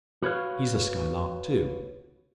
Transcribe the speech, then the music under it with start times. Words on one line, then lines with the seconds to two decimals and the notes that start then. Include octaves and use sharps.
He's a Skylark too.
0.22 F#4 B4 C#5 F5